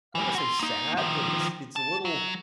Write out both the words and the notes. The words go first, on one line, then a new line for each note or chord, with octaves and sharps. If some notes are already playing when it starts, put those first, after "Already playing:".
don't wanna say sad, but s it's a little
E3 G3
F#4 C6
A#3 D#4
D#3 F3
A5
F#3